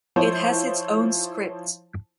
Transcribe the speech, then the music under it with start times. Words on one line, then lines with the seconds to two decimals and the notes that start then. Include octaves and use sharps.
It has its own script.
0.16 F3 E4 C5 C#5